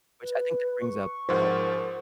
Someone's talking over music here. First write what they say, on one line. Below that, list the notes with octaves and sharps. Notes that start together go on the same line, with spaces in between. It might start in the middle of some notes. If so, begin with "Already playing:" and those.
which I think that brings up, you know,
B4
C#6
G#2 F3 A#4 C5 F#5